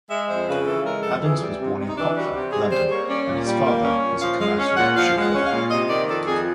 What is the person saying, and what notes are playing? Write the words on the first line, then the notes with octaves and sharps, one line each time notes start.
Adams was born in Poplar, London, and his father was a commercial chauffeur.
G#3 E5
F2 C5
C#3 B4
E3 A4
G#3 A#4
F2 A4
E3 G#4
G3
C3
C3
D#4
E3 D4
G3 F#4
C3 G4
C3 G#4
G3 C5
A#3 C#5
C#4 D5
A#2
G3
A#3
C#4
A#2
F3 F5
G#3 F5
C#4
A#2 F#5
F3 F5
G#3
F#5
C#4
F5
A#2
C3 D#5
D#3 D5
F2 A4
F2 G#4